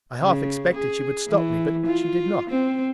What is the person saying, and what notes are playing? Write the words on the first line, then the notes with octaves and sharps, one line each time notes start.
I half expected she would stop me, but she did not.
C#3
G#4
E3
F4
C4